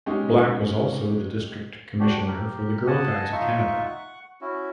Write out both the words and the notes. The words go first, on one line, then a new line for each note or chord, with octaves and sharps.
Black was also the district commissioner for the Girl Guides of Canada.
G#3 C#4 D#4 G4
D4 F#4 G4
G4 A#4
D#5 F#5 G#5 A5
D#4 F4 E5 C#6
F#5 C#6
C#4 E4 F#4